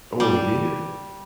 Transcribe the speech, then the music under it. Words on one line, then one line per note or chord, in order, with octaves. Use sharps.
Oh, he did?
G3